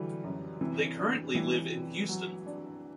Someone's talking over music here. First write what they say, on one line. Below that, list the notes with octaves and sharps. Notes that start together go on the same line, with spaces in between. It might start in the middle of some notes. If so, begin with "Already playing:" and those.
They currently live in Houston.
Already playing: D3 E3 F#3 G3
F#2
C3 E3
D4
E3 G3
C3
F#3
D4